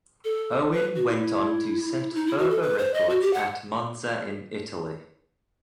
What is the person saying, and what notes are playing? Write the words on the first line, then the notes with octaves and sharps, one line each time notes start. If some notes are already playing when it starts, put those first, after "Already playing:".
Owen went on to set further records at Monza in Italy.
A4
B4
F#4
E4
D#4
E4
F#4
A4
B4
C5
D#5
F#4
G4
F#5